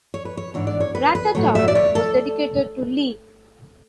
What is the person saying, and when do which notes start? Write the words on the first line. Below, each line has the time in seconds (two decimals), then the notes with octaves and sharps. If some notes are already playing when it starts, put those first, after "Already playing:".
Ratatouille, was dedicated to Lee.
0.14 C#5
0.25 B4
0.37 C#5
0.54 G#2 E3 B3 D4 C#5
0.67 D5
0.80 C#5
0.95 B4
1.15 B4
1.35 A2 F#3 A3 C#5
1.55 E5
1.68 D5
1.75 C#5
1.95 A4